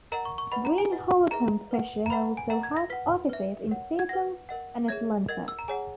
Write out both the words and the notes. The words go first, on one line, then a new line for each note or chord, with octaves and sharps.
Greene Holcomb Fisher also has offices in Seattle and Atlanta.
A#4 D#5 F#5 A#5
C#6
C#6
B4 D#5 F#5 B5
A#5
G#5
B4 D#5 F#5
G#4 B4 E5 A#5
B4 F#5
A#5
B4 D#5 F#5 B5
G#5
A#4 D#5 F#5 A#5
G#6
A#6
B4 F#5 B6
B4 E5
A#4 C#5 F#5
G#6
B4 F#5 A#6
A#4 D#5 F#5
G#4 C#5 E5 G#6
A#4 D#5 F#5 G#6
E6
A#5
G#4 C#5 F#5 G#5